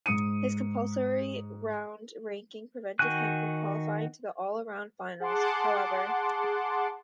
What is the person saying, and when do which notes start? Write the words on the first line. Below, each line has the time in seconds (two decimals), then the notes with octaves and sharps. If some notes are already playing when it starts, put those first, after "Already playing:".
His compulsory round ranking prevented him from qualifying to the all-around finals, however.
0.06 G#2 D#6 C#7 D#7
2.99 D#3 F#4 G5 G#5 F#6
5.20 G#4 F#5 A5 C6 D6